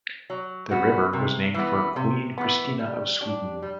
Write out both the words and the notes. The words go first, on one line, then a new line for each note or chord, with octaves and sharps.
The river was named for Queen Christina of Sweden.
F#3
B3 F#4
C3
E3 B3
C3
E3 B3
G3
D4 G4
G3